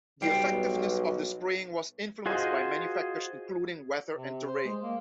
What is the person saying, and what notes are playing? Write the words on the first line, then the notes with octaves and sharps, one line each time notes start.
The effectiveness of the spraying was influenced by many factors including weather and terrain.
B1 G3 B3 G5 C7 D7
F4 F#4 G#4 C5 D#5
C3
C5
G#3
A#3